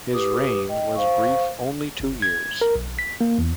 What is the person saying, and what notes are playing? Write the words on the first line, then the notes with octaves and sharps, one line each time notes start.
His reign was brief-only two years.
G4 B4 D6 D#6
D#5 G5
C5 F5 C#6
G1
G#6
A#4
B1
B6
A#3
E2